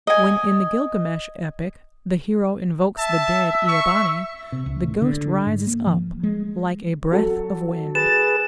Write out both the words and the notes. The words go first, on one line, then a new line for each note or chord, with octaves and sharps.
When, in the Gilgamesh epic, the hero invokes the dead Ea-bani, the ghost rises up like a "breath of wind".
D#5 G#5
E5 A5
C#6
C3
C#2
A2
D3
G#2
A#3
F3
G#3
F#3 A4
G#4 B4 A6 E7